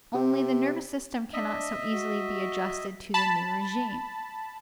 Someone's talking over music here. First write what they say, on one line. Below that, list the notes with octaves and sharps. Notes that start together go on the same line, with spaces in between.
Only the nervous system cannot so easily be adjusted to the new regime.
C3
D4 D#5 E5
F#4
A5 B5